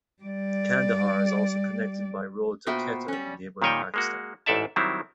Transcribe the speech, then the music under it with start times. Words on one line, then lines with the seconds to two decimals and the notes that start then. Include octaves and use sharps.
Kandahar is also connected by road to Quetta in neighboring Pakistan.
0.23 G3 D5
2.66 A#2 B3 F#4 C5 E5 G5
3.08 G3 C#4
3.62 A#2 D#3 G3 C#5 D#5 G5
3.94 G#3 A#3 F#4
4.46 A1 G#2 A4 D5 E5 A5
4.76 D#3 F#3 G3 C4 E4